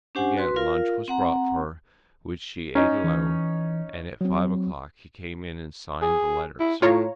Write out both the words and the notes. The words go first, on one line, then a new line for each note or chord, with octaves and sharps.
Again lunch was brought for her, which she ate alone, and at five o'clock he came in and signed the letters.
C#4 D4 G4 C5 F#5 G#5
F#4 B4 C6
F4 A#4 F5
C4 F#5 A#5
C#4 D#4 A#5
E3
F#3 C4
G#4
E4
A2 F4 C#5 A#5